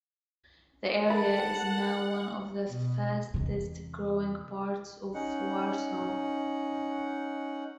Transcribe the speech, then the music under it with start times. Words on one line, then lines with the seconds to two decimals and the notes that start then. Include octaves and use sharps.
The area is now one of the fastest-growing parts of Warsaw.
1.10 A4 A#4 E5 F#5 A5 B5
2.62 B2
3.34 E2 C3
5.14 C#4 D#4 F#5